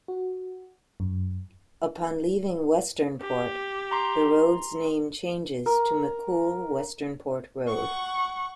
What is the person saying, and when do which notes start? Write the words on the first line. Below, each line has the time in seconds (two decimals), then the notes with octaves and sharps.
Upon leaving Westernport, the road's name changes to McCoole-Westernport Road.
0.08 F#4
1.00 F#2
3.22 G4
3.91 A#5 C6
5.66 A#4
7.67 F#5 C#6